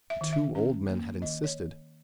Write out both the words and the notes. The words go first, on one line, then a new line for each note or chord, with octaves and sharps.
The two old men had insisted.
E5
D#3
E5
C#4
A#3
D#3 D#5
C#5